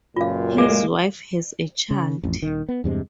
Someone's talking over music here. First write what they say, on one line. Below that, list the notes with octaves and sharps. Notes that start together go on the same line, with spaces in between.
His wife has a child.
C#2 F#2 A#2 F4 F5
G#3 A#3 G#4
C#3
A1 F2
D#1 D#3
B3
E2 G2 C3 G#3